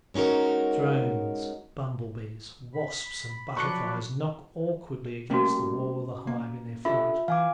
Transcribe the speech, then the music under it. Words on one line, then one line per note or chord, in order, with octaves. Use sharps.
Drones, bumblebees, wasps, and butterflies knock awkwardly against the walls of the hive in their flight.
G#3 C#4 D#4 F#4 A#4
B5
F3 F#3 D4 C#6 F#6 C#7
G3 A3 A#3 C#4 F#4
A#3
D4 F4 G4 A4 E5
E3 F5 G#5 D6